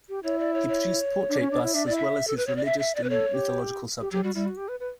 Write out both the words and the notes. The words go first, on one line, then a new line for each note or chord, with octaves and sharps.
He produced portrait busts as well as his religious and mythological subjects.
G4
E4 C#5
D5
C#5
C#5
D4
C#4
D4
E4
D4 E5
E4 D5
E5
A4
B4
C#5
D5
E5
E5
D5
B4
A4 C#5
G4
G4
F#3 G4
G3 F#4
G3 E4
F#4
G4
B4
B4